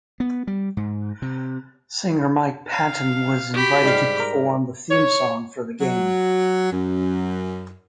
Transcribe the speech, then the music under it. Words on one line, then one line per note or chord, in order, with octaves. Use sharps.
Singer Mike Patton was invited to perform the theme song for the game.
B3
G3
G#2
C3
F5
F#4 G4 B5
G#2 G3 F5
A#4
C#5
F#3
F#2